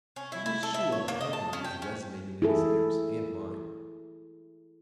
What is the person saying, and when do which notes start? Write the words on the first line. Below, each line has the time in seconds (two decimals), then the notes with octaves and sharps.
He was sure the harmony was resonating in his ears and mine.
0.16 C#4
0.32 E4
0.46 E4
0.63 A4
0.74 E5
0.92 C#5
1.08 A#3
1.21 D#5
1.33 A5
1.53 C#4
1.64 G5
1.82 C#4
2.42 E4 G#4 A4